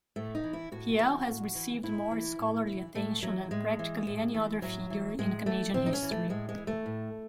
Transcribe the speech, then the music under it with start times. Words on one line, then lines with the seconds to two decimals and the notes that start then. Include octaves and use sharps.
Riel has received more scholarly attention than practically any other figure in Canadian history.
0.16 A2 A3
0.35 D#4
0.43 E3
0.53 E4
0.72 A2 F#4
1.00 E3
1.27 A2
1.55 E3
1.83 A2 E4
2.11 E3
2.39 A2
2.67 E3
2.95 A2 A3
3.23 E3 F#3
3.51 A2 G#3
3.79 E3
4.07 A2
4.34 E3
4.62 A2 F#3
4.90 E3
5.18 A2 G#3
5.46 E3 A3
5.74 A2 C4
5.86 D#4
5.93 C#4
6.02 E3
6.11 A3
6.29 A2 G#3
6.49 G#3
6.58 E3
6.67 A3
6.86 A2